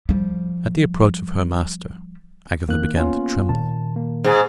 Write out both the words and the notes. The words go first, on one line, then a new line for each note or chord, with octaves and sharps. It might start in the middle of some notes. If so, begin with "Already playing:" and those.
At the approach of her master, Agatha began to tremble.
F3 G3
D#3 A#3 F#6
B3 C#4 F4
A#2 D#3 A5
A#3
G#2 G#4